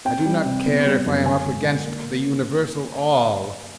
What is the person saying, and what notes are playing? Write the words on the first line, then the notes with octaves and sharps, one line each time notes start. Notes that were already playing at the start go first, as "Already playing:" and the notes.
I do not care if I am up against the universal All.
C4 G5
G3
C3
B3
G3
F#2
D3 G#5
G#3
D3
A#3